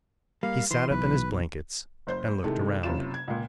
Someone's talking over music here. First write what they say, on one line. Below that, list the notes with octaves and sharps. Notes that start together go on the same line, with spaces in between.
He sat up in his blankets and looked around.
G3 A#3 F5
E3 C6
B1 B4
F#1 C5 G6
A2 C3 D#3 G#3 A3
F#1 C3 C#4 F4 E7
G#6
C#2 A#2